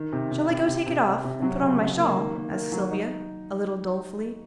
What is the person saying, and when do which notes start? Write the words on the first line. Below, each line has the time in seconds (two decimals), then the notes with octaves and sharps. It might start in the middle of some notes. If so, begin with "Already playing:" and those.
'Shall I go take it off, and put on my shawl?' asked Sylvia, a little dolefully.
Already playing: D#3
0.12 C3
0.31 C3
0.49 C3
0.68 C3
0.86 C3
1.06 C3
1.24 C3
1.42 F#3
1.61 C#3
1.80 C#3
1.98 A#3
2.16 D#3
2.35 A#3
2.53 A#3
2.72 F#3
2.91 D#4